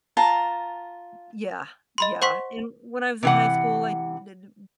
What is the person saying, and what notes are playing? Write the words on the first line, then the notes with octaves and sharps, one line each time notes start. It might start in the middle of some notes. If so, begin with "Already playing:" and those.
Y yeah, yeah. And when I was in high school, I did w
F4 A5 A#5
D#5 B5 C6
C5 F#5 C6 C#6 B6
C3 E3 F#5